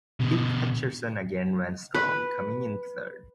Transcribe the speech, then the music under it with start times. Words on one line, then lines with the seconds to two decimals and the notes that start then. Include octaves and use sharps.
Dick Hutcherson again ran strong, coming in third.
0.20 B2 D3
1.94 B4